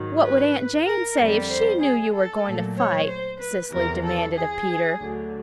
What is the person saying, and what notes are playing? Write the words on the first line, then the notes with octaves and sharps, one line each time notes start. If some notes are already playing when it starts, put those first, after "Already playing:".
"What would Aunt Jane say if she knew you were going to fight?" Cecily demanded of Peter.
Already playing: G#2 D#3 F#3
B4
A#4
F2 D3 G3
C5
G#4
A4
A#2 F#3 A3
C#5
C5
B4
E2 C3 E3 A#4
A4
G#4
D2 D3 F#3